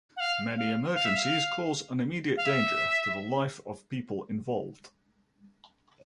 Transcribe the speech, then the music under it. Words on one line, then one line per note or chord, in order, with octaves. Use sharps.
Many emergencies cause an immediate danger to the life of people involved.
F#5
F5
F5
F5
E5
F5
F5
E5